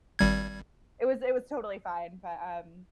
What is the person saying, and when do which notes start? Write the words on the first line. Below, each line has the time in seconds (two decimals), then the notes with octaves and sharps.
it was it was totally fine, but, um,
0.19 G#1 G3 G#6